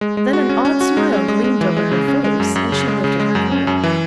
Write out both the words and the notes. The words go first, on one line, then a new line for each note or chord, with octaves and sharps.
Then an odd smile gleamed over her face and she lifted her kodak.
G#3
G#3
F#4
C#4
C#4
F#4
G#3
C#4
G#3
G#3
E3
G#3
C#3
C#4
G#3
F#2
F#2
C#3
G#3
C#3
G#3
F#2
C#4
F#2
E3